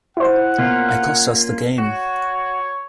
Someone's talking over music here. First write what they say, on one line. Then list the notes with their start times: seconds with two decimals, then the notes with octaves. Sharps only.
I cost us the game.
0.17 E4 C5 F#5
0.58 B2 A#3 C#4 F4
1.78 F#4 C#5